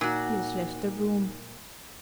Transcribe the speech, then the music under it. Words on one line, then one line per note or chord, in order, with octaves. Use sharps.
He has left the room.
A#2 D#4 F#4